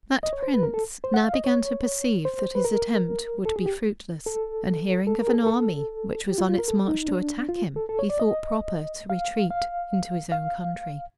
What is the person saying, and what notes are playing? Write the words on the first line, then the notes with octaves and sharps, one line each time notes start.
That prince now began to perceive that his attempt would be fruitless; and hearing of an army which was on its march to attack him, he thought proper to retreat into his own country.
D#5
C#5
C5
B4
A#4
A4
C5
F#5
F5
D#5
C#5
C5
B4
A#4
A4
G#4
G4
A4
A4
A#4
G#4
A4
A#4
A4
G4
F4
F4
A#4
A4
D#4
D4
F4
A4
A4
C#5
D5
D#5
F5
F5
F5